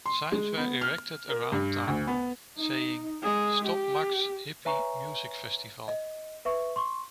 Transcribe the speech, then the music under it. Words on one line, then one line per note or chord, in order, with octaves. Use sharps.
Signs were erected around town, saying, Stop Max's Hippie Music Festival.
C6
G#3
B3
F6
A#4
G2
D2
B3
D#4
G#3 G#4
G4
B4 C#5 E5 G#5 A#5 C#6
D#5
B4 E5 C#6
C6 C#6